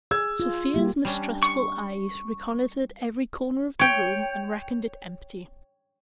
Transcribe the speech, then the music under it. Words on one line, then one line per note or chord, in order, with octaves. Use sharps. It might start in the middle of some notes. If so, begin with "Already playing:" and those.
Sofia's mistrustful eyes reconnoitred every corner of the room, and reckoned it empty.
G#4 E6 G#6
F4
G3 A#3 G4
G3 C#4 D4
C#6
C#5 G5